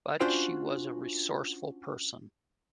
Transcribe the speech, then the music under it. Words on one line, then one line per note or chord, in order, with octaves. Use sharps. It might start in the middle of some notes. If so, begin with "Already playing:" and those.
But she was a resourceful person.
C#4 D4 F4 F#4 C5 G5